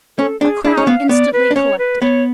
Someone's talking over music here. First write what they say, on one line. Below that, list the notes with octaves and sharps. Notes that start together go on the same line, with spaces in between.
A crowd instantly collected.
C#4 A4
D4 G#4
D4 G#4
C#4
B3 F5
B3 D5
B4
D4
C#4 C#5
B4
B3 C#5